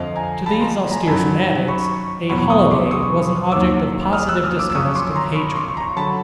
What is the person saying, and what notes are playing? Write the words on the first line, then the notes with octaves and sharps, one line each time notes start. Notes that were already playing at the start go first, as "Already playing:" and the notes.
To these austere fanatics a holiday was an object of positive disgust and hatred.
Already playing: F2 D3 F3 D#5 F5
G#5 A#5
A5 B5
A#5 C6
G#5 A#5
F#2 D#3 F#3 A5 B5
B5 C#6
E2 B2 F#3 B5 C#6
C#6 D#6
C6 D6
C#6 D#6
D#2 D#3 F#3 D6 E6
D#6 F6
E6 F#6
D#6 F6
D6 E6
E6
F#2 C#3 F3 C#6 D#6
C6 D6
A#5 C6
B5 C#6
C6 D6
C#6
A#5 C6
D3 F#3 A5 B5